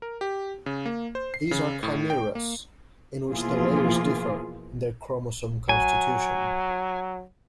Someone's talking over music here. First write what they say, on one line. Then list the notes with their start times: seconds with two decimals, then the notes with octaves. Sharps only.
These are chimeras in which the layers differ in their chromosome constitution.
0.02 A#4
0.21 G4
0.66 C#3
0.86 A#3
1.15 C5
1.34 C7
1.51 C#3
1.83 A2
2.10 G5
2.35 A#3
3.29 B2 E3 F3 A#3 F4 G#4
5.69 F#3 G#5